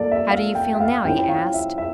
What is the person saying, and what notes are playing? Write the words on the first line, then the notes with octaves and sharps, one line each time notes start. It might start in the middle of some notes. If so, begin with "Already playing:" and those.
"How do you feel now?" he asked.
Already playing: A#2 F3 A#3 A4 D5
E5
F5
G5
E5
F5
F3 C#4 E4 G5
G5
F5
E5
E5